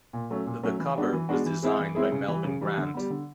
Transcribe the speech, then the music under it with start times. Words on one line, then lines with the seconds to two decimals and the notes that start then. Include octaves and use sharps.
The cover was designed by Melvyn Grant.
0.13 A#2
0.30 F#3 A3 C#4
0.46 A#2
0.63 F#3 A3 C#4
0.80 E3
0.96 G#3 B3 D4 F#4
1.13 E3
1.29 G#3 B3 D4 F#4
1.46 E3
1.62 G#3 C4 E4 G#4
1.79 E3
1.95 G#3 C4 E4 G#4
2.12 C#3
2.28 E3 G3
2.45 C#3
2.61 E3 G3
2.78 D3
2.94 G3 B3
3.10 D3